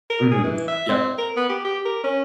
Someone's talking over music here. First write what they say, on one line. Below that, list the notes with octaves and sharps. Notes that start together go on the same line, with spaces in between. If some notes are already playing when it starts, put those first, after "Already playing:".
Mhm, yep.
A#4
G#4
E3
E5
C4
A#4
B3
G4
G4
A#4
C#4